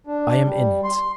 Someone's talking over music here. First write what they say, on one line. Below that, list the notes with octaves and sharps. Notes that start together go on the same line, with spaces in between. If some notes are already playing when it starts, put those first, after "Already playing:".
I am in it.
D4
G3
C6